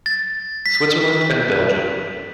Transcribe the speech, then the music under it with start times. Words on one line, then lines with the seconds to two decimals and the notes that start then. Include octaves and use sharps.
Switzerland and Belgium.
0.06 A6
0.66 B6